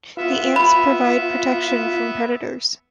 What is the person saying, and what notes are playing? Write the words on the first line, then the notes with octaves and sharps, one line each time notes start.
The ants provide protection from predators.
B3 F4 E5
B5